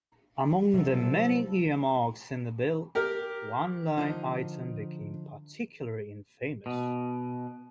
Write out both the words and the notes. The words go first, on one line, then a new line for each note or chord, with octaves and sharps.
Among the many earmarks in the bill, one line item became particularly infamous.
C2 C3 F3 F#3 A4
G4 A#4
D3 F3 D#4
B2